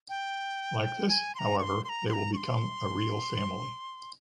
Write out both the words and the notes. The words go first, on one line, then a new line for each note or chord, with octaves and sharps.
Like this, however, they will become a real family.
G5
G#5
C6
A#5
C#6
C6
C6
A#5
C6
A#5
C#6
C6